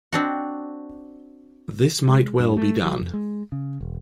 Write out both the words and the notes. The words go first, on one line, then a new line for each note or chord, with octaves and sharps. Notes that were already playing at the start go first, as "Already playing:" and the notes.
This might well be done.
C4 D4 F#4
G#3
G2
A3
F#3
F2
G#3
C#3
E1